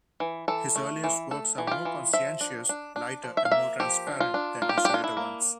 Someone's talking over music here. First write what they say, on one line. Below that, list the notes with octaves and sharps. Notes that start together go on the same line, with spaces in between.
His earliest works are more conscientious, lighter and more transparent than his later ones.
E3
E3 A4
A3
E3
A3 A4
E3
G4
F4
E3
F3 E5
D4
D4
D4
F3
E5
F5
A#3 E5
F3 G4
D4
F4
D4
A#3 F4
G4
F4
G4
D4 F4
E4
A#3